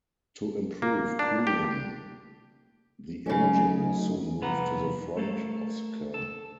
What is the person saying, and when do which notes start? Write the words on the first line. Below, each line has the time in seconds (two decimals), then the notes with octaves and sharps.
To improve cooling the engine was soon moved to the front of the car.
0.82 A#3
1.19 D4
1.47 G4
3.26 C#3 F#3 A3 C#4 D#4
4.41 C2 F2 B3 B4 F#5 A#5
5.17 A3 A#3 A4
6.14 A4